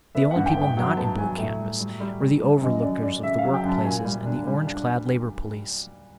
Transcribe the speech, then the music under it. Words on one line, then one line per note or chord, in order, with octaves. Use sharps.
The only people not in blue canvas were the overlookers of the work-places and the orange-clad Labour Police.
B3 E5
G2 F#5
G5
B3
G5
F#3 F#5
B3 A5
F#3 G#5
A2
G3
G3
G3
G3
G3
F#2 D#5
F#2 D5
F#2 D5
C#3 E5
F5
F#3
G5
F#2
A5
A#2 G#5
G3
D4
G3
D4